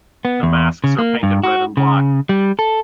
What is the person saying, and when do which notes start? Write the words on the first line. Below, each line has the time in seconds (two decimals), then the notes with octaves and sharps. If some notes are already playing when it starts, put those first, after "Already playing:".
The masks are painted red and black.
0.25 B3
0.43 E2
0.84 C#3
0.99 A#3
1.23 G2
1.43 F#4
1.77 C#3
2.29 G3
2.59 A4